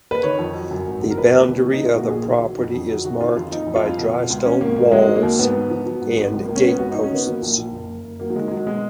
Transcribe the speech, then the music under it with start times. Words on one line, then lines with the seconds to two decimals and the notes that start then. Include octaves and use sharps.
The boundary of the property is marked by drystone walls and gateposts.
0.11 B4
0.23 D#3 C#5
0.39 F2
0.55 F#3
0.71 F#2
0.86 G#1
1.02 F#2
1.11 A#4
1.17 F3 B4
1.33 D#2
1.48 D#2
1.64 F3
1.73 D#4
1.79 F3
1.86 F4
1.95 A#2 F#4
2.11 A#1 G#4
2.27 D#3
2.42 F#3
2.58 F2
2.74 F2
2.90 F#3
3.04 D#3 F#4
3.20 D#3 F4
3.36 F2 F4
3.52 F2 D#4
3.67 F2
3.76 F4
3.82 F2
3.98 B2
4.14 B2
4.30 C#2
4.46 F3 C#4
4.61 G#1 A#3
4.76 G#1 A#3
4.92 F#3 G#3
5.08 F#3
5.16 A#3
5.23 D#2
5.39 G#2 B3
5.55 G#2
5.71 F3
5.86 F#3
6.02 G#2
6.17 G#1
6.32 C#2
6.45 C#2 A#3
6.56 C#4
6.64 C#2 B3
6.79 G#1 F#4
6.91 F#3 D#4
7.04 C#4
7.11 D#3 B3
7.26 F#3 A#3
7.42 A#1
7.58 A#1
7.73 F#1
7.90 F#1
8.05 F#1
8.20 F#3 A#3
8.30 F#3
8.36 D#3 G#3
8.48 G#3
8.51 F#3
8.67 B2 G#3